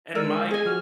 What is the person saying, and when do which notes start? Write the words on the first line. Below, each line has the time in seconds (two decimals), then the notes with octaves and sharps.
And my g
0.15 G#3 A#4 D5 E6
0.51 G#4 D#5 G#5
0.66 F3 F#4 G4 F6